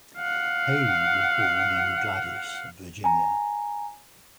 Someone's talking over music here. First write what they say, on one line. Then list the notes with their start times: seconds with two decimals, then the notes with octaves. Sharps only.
Haley was born in Gladys, Virginia.
0.18 F5 F#5
3.04 G#5 A#5